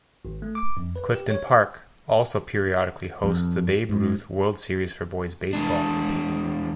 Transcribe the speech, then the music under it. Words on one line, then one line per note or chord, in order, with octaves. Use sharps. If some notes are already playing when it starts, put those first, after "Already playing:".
Clifton Park also periodically hosts the Babe Ruth World Series for boys baseball.
G#1
A3
D6
F2
B4
G4
C#5
F2
G#2
E2 D4